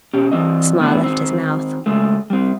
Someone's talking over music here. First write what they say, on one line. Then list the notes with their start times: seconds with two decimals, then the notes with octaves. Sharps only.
The smile left his mouth.
0.14 B2 C#4 G4
0.32 E3 G#3 C4 D#5
0.79 A2 B3 D4
1.03 D#3 C4
1.86 C#3 G#3 A3
2.30 G3 C4